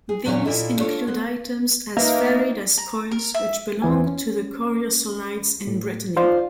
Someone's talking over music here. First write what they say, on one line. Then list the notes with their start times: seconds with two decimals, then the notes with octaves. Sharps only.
These include items as varied as coins which belonged to the Coriosolites in Brittany.
0.09 G#4
0.25 E2 A#2 F#3 D4 E4 C#5
0.45 A#2 A#3 E4 F4 A4 D#5
0.77 D4 F4 A4 C5 C#5
1.07 B3 C5
1.97 A#3 D#4 B4 E5
2.78 A#5
3.11 A#4
3.34 E5
3.82 E2 E3 G#5
4.07 C#4
5.67 A2
6.16 D#4 F4 C5 D5 F5